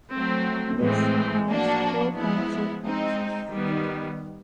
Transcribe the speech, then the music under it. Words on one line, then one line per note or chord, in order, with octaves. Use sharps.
This has two consequences.
F#3 A3 C4
A2 E3 G#3 C4
F3 A#3 D4 F#4
F3 G#3 B3 E4
G#3 C4 D#4
D#3 G3 B3